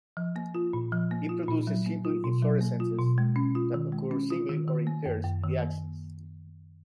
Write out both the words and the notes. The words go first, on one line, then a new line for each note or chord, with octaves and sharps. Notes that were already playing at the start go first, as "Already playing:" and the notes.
It produces simple inflorescences that occur singly or in pairs in the axils.
F3
A#3
F4
A#2
F3
A#3
F4
A#2
F#3
A#3
F4
B2
F#3
A#3
F4
B2
G#3
C#4
F4
D#3
G#3
C#4
F4
D#3
D#3
A#3
F#2
F#2
D#3
A#3